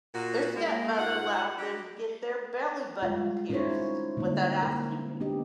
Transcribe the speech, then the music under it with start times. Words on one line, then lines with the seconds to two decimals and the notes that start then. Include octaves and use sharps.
their stepmother allowed them to get their belly button pierced without asking me.
0.14 A#2 F#4
0.55 G#3 A#3
0.98 G#2 F4 F#5
1.57 F#3 G3 D4 G4
3.02 G3 G#3 F4
3.50 C#4 D#4 E4 A#4 C5 C#5
4.17 D3 G3 G#3 A#3 E4
4.63 A#3 A#4
5.20 B3 D4 G4 D#5